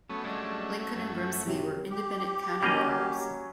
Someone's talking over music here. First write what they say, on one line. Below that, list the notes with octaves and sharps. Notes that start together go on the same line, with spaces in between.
Lincoln and Grimsby were independent county boroughs.
F#3 A3 B3 C#4
G3 G#3 D4
F#2
C3 F#3
G4
F#3 G3 A#3 C#4 D#5